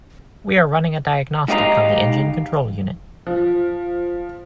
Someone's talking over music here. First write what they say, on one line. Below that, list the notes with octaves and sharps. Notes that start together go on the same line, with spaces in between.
We are running a diagnostic on the engine control unit.
G#2 D#4 G4 D#5 F5 A#5
F3